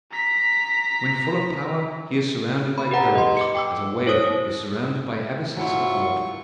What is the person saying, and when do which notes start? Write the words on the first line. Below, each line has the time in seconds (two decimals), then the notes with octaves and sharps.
When full of power, he is surrounded by perils, as a whale is surrounded by abysses of water.
0.12 A#5 B6
2.78 B5
2.91 G4 B4 F#5 A#5
3.15 D#5 C6
3.37 D6 C#7
3.55 G5 D6 E6
4.07 E4 C5 C#5 D#6 F#6
5.56 G#2 F#3 E4 F4 F#5 C#6